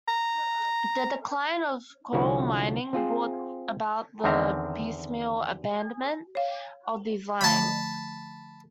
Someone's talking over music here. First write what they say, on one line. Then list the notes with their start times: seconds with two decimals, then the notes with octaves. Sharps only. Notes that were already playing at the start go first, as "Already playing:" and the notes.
The decline of coal mining brought about the piecemeal abandonment of these lines.
0.08 A#5
2.13 C2 D3 F3 C#4 E4 F#4
2.93 C4 F4 G#4 C5
4.24 E2 D3 D#3 C4 E5 A#5
6.35 C#5 F5
7.41 D3 F3 A3 A5 B5